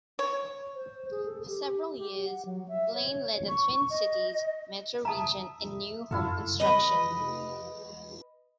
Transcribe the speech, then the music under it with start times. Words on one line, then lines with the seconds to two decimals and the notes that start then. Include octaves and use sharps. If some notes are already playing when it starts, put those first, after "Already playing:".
For several years Blaine led the Twin Cities metro region in new home construction.
0.19 C#5
0.75 C5
1.11 G#4
1.26 A4
1.48 G4
1.97 G4
2.25 F#5
2.45 F#3
2.68 E5
2.94 C#5
3.49 C#6
3.90 D#5
5.05 E5 A5 A#5 D#6
6.11 F#2 E4 F4 A4
6.60 B4 D#5